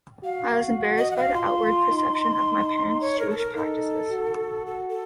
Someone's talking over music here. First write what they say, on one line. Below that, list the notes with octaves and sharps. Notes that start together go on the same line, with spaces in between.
I was embarrassed by the outward perception of my parents' Jewish practices.
F#4 F5
D#5
F#5
F5
F4 C6
D#4
C#5
A#4
A4
A#4
D#4 A4
F#4
A4
A4